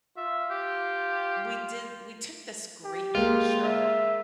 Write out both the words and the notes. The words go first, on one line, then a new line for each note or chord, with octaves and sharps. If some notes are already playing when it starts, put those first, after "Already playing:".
we did we took this great picture
F4 E5
G4
G4
G#3 A#3 F4
E5